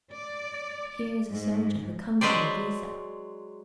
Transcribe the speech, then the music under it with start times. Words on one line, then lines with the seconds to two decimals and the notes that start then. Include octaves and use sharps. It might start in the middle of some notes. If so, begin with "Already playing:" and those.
Here is a soldier who comes from Iviza.
0.13 D5
1.29 G#2
2.21 F#3 G#3 B4 C5 D5